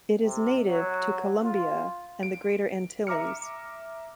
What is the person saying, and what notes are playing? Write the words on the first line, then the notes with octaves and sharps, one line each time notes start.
It is native to Colombia and the Greater Antilles.
C3
F#3
F4
D7
E5 A#5 D6 F6 C#7